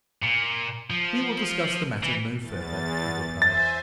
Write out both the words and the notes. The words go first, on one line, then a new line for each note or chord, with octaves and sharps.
"We will discuss the matter no further," I replied.
A#2
F3
E3
E2 A6
C5 E5 G#5 A6